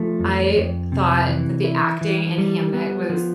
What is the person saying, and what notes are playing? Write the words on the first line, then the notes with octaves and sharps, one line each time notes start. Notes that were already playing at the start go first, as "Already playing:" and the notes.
I thought that the acting in Hamnet was
Already playing: F3 A3
F2
F2
C3
E3
E4
E3
G3
B3
F3